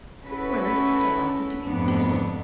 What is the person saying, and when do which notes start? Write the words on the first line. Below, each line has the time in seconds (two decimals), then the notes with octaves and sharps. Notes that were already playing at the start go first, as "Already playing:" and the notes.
"But where is such a lackey to be found?"
0.25 C#4 E4 F#4 A4 B4
1.65 F2 G#2 A3 B3 D4